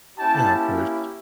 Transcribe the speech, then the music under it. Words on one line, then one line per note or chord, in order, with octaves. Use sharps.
Yeah, of course.
A#3 C#4 E4 G4 G5 A5